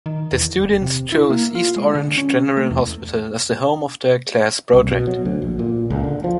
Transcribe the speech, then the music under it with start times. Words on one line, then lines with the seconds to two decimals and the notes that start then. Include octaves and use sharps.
The students chose East Orange General Hospital as the home for their class project.
0.06 D#3
0.32 E2
0.62 D1
0.82 C3
1.12 E4
1.30 A#3
1.55 F4
1.76 G#3
1.95 D3
2.17 C#4
2.57 A3
2.71 E2
4.73 C2
4.91 B2
5.07 F#3
5.25 D2
5.42 A#1
5.59 A#2
5.90 C#2
6.04 D3
6.24 F3